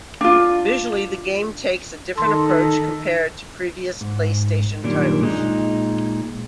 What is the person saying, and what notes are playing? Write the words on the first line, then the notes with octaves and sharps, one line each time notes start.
Visually the game takes a different approach compared to previous PlayStation titles.
D4 F4
D#3 A4 C6
G#2
F#2 A#2 D#3 G3 D4
A#2 G#3 D#4